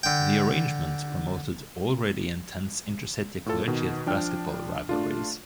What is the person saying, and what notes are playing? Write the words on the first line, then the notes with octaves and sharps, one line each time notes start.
The arrangement promoted already intense inter-city collegiate basketball rivalries.
D3 G5
A2 F4 A4
B2 D#3
F3 D4 G5 F6
A3 D4 F4